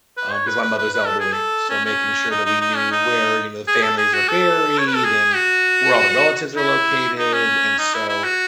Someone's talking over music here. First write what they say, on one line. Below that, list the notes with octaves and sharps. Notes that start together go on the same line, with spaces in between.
um 'cause my mother's elderly, so making sure that we knew where, you know, the families are buried, and where all the relatives are located, and, so,
B4
C#5
B4
B4
B4
B4
A4
G#4
A4
C#4
C#4
D#4
D#4
D#4
C#4
D#4
G#4
A4
G#4
F#4
A4
C#5
B4
A4
G#4
F#4
E4
D#4
C#4
D#4
E4
E4
F#4